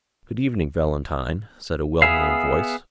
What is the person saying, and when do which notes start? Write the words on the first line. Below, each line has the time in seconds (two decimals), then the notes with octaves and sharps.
"Good-evening, Valentine," said a well-known voice.
2.02 B3 G#4 E5 F5